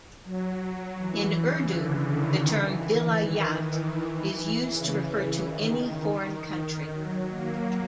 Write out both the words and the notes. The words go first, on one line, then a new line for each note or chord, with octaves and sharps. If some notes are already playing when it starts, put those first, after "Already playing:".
In Urdu, the term "Vilayat" is used to refer to any foreign country.
F#3
E3
C#3
D3
D#3
E3
D#3
E3
C#3
D#3
F#3
A#3